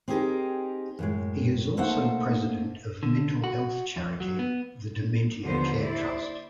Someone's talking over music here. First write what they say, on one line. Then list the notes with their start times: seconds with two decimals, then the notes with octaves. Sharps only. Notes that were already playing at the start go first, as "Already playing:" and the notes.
He is also President of mental health charity The Dementia Care Trust.
0.08 C4 D#4 G4 G#4 A#4
0.99 F#2 A2 G#3
1.77 A3 A#3 D#4 A4 C5 F#5
3.03 D3
3.44 F#4
3.96 F2
4.20 F#3
4.39 B3
5.43 D#2 D3 F3 B3 C5
5.80 E4 C5 D5